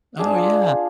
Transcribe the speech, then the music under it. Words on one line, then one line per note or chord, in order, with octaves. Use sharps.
Oh, yeah.
D4 G#4
F4